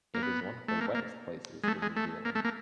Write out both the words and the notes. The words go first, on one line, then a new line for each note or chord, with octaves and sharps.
It is one of the wettest places in New Zealand.
A#3
B3
A3
A#3
A#3
G#3
A3
G#3
A3
A#3
A3
A#3